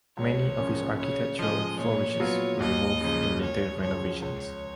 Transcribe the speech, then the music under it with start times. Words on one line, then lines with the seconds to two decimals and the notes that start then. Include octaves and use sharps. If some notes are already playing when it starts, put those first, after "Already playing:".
Many of his architectural flourishes were removed in later renovations.
0.17 C#2 C#5
0.58 C#3 F3 A#3 C#4
0.98 C#3 C#5
1.39 F3 G#3 D#5
1.79 A#2 C#5
2.20 F#3 B3 F4
2.60 D#2 D#5
3.01 C#3 F3
3.41 C#2 C#5
3.82 C#3 F3 C#5
4.22 C#2 C#5